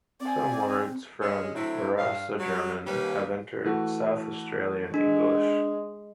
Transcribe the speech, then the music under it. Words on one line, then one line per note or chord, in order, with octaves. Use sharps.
Some words from Barossa German have entered South Australian English.
C4 D5 G#5
G#3 C#4
D3 F#3 A3 C4 E4
G2 F5
F#3 G3
D#2 G3 A#3 C#4 G4 B4
E3 A3 F#4
G#3 D4